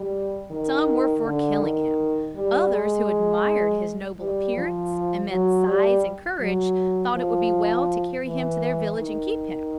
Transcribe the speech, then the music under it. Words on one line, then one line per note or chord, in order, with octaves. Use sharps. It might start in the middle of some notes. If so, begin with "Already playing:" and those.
Some were for killing him; others, who admired his noble appearance, immense size, and courage, thought it would be well to carry him to their village and keep him.
Already playing: G3
D#3
D3
D#3
G3
G#3
G3
F3
F#3
G3
F#3
F3
E3
D#3